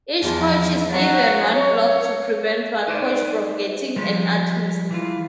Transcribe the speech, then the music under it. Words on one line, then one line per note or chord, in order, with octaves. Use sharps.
Each coach is given one block to prevent one coach from getting an artist.
E2 F3
F#3 F#4
C#5
D#4 B4 C5 D5
F3 G3 G#3
E3 F4